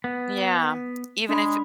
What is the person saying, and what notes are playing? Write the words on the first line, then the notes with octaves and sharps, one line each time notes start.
Yeah, even if
B3
G#3 D4 B5